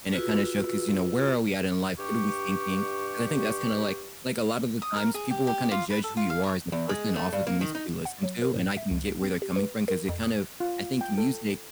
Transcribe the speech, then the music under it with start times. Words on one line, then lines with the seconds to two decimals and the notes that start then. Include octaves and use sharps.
and it kinda show 'cause, you know, where are we at in life? What are we thinking? 'Cause I think that's kind of like like, a lot of the times people will kind of judge who you are as a person off of the music you listen to, and I can get where they're coming from 'cause it kind of, I think music,
0.13 F4 F#4 G#4 B4 E6
1.98 G2 G4 C#6
4.82 D#6
4.97 A#4
5.14 G#4
5.30 G4
5.47 G4
5.71 F4
5.90 B4
6.04 A4
6.17 F4
6.30 F5
6.43 C#5
6.72 E2
6.89 G#3
7.16 A3
7.33 G2
7.47 A#3
7.61 D#3
7.75 D#4
8.05 F#5
8.23 F#3
8.42 A#4
8.56 A2
8.77 E5
8.91 C#2
9.22 C4
9.42 G4
9.56 B4
9.88 A#4
10.09 F2
10.23 D#6
10.60 F4
11.01 G5
11.18 A4